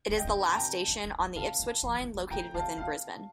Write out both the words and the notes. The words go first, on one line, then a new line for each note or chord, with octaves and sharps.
It is the last station on the Ipswich line located within Brisbane.
D4
D#5 G5
D4
A#5
A5
G5 A#5
D4
D4
C4
D4 F5 A5
C4
F3
A3
A#3
A3 G5 A#5
C4 F5 A5
A#3 F5 A5